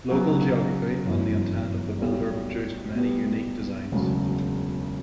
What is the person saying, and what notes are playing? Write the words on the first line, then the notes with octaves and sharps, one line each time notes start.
Local geography and the intent of the builder produced many unique designs.
C#3 F#3 B3 F#4
G1 F#2 E3
B1 A2 G3
B2 G3 B3
E1 D2 C#3 F#3